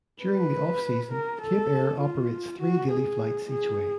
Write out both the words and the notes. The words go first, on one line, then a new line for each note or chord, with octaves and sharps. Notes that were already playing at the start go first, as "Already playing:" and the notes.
During the off-season, Cape Air operates three daily flights each way.
B4
A#4
A4
F4
F#4
G#4
G#4